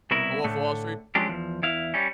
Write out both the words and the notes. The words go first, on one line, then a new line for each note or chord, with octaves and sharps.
A Wolf of Wall Street?
C2 B2 E4 A#4 B5
A2 D3 A3
F3 F#3 G#3 C#4 D4 G4
E2 F3
E2 E4 F5
G3 C#4